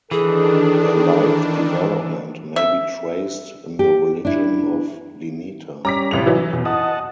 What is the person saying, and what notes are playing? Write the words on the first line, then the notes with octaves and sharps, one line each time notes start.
A like development may be traced in the religion of Demeter.
D#3 E3 D4 G#4 A4
E5
G4
D4 E4
G3 C#4 A#5 D6 B6
A1 C3 F7
E3 F#3 D#4 E4
E2 B2
D#5 F#5 A5 D#6